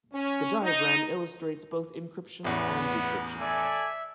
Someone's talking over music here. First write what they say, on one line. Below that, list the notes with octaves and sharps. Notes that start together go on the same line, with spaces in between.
The diagram illustrates both encryption and decryption.
C#4
D#4
A1 E2 B3
A4 D5 E5 G#5